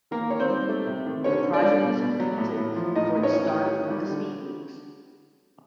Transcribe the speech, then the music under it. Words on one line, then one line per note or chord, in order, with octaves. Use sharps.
The project was completed before the start of Speedweeks.
D#3 A#3 A#4
D#3 C#5
C4 C5
G3
A3
C3
D#3
D3 C#4 C#5
D3
D4 D5
G3
B2
B2
F#3
A2
A2
F3
A2 D#4 D#5
A2
C#4 C#5
E3
D#3
D#3
G3
D3